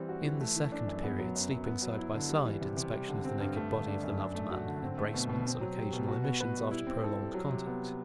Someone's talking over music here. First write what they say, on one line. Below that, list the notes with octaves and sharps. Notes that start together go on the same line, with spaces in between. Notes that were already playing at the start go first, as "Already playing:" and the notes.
In the second period sleeping side by side, inspection of the naked body of the loved man, embracements, and occasional emissions after prolonged contact.
Already playing: E3 G3 C4
F#4
E3
A3
E3
D4
F#2
B3
F#3
F#2
F#2
B3
F#3
E4
D3
G3
E3
C3
C3
G3
D3
C4
G2
A3
D3
D4
F#2
D4
A3
F#4
D3
C4
A3
B2
B2
C4
F#3
G4
B2
F#4
B3
B4
G3
E4
C4
A4
G3
F#3
C3
B3